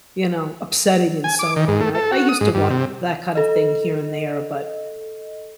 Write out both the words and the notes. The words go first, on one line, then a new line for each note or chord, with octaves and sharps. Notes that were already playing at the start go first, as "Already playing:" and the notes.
you know, upsetting and so on. I I used to watch that kind of thing here and there, but
G#5
D6
D#3
G#2
A3
A4
F#4
D#6
G#2
G2
C3
A4 D#5